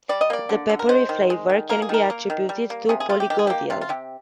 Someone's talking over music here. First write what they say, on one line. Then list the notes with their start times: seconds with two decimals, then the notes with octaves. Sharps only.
The peppery flavour can be attributed to polygodial.
0.09 G3 D5
0.21 D#5
0.30 A#3 D5
0.49 D3
0.69 D3
0.79 A#4
0.89 G#3 C5
1.09 D#3
1.30 G#3
1.49 D#3
1.69 A#3 A#4
1.82 G#4
1.89 D#3 A#4
2.10 A#3
2.30 D#3
2.49 G3
2.70 A#3
2.89 C3 G#4
3.00 G#4
3.09 C3 F4
3.20 G4
3.30 D#3 G4
3.39 G#4
3.47 A#3 G4
3.70 C3 F4
3.81 F4
3.89 C3 G4